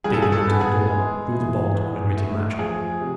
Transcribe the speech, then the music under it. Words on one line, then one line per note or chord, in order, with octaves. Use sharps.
Dick ran to the door, drew the bolt, and admitted Matcham.
G2 G#4
A4
G#4
A4
B3
G#4
G#3
E3
E2
A3
F3 G#4
C3